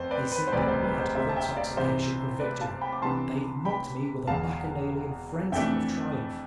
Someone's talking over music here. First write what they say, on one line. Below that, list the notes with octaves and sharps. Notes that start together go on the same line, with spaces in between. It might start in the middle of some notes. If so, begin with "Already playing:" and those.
They seemed mad with intoxication of victory; they mocked me with a bacchanalian frenzy of triumph.
Already playing: F2 B3 C5
B4 D5
B4
C5
E1 D2 C3 G3 C4 B4 D5
D5
C5
B4
C5
C5 E5
A5
E5 G5
D5 F5
C2 C3 E3 C5 E5
B4 D5
F5 A5
G5 B5
D6
C2 C3 E3 B3 D4 A5 C6
G5 B5
E1 E2 D3 F5 A5
F2 E3 A3 D4 E5 G5